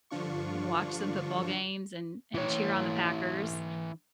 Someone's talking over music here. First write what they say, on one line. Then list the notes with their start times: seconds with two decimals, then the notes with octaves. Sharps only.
watch some football games and and cheer on the Packers,
0.10 G2 D3 F3 D4 F4 C#6
2.35 E3 C#5